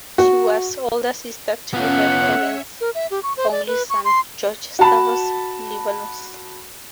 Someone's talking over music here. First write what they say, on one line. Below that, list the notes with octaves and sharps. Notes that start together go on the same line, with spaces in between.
She was older sister to her parents' only son, George Stavros Livanos.
F#4
B3 C#4 F4 C#5 E5 F#5
A#4
E5
G4
C#6
C5
D5
B4
C#6
C6
F#4 A5 B5